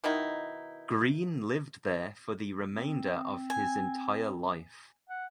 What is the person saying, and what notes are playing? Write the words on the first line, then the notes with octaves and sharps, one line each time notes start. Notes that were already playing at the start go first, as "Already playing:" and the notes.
Green lived there for the remainder of his entire life.
B2 D#3 D#4 E4
C4
G#5
F#5